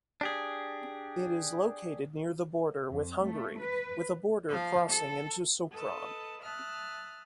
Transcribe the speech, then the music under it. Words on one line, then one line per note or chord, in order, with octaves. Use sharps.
It is located near the border with Hungary with a border crossing into Sopron.
D4 G4 G#4
F2
A3
B4
F3 F5
A4
A4 B4 D#5 A5
E5 A5 D#6 F6 F#6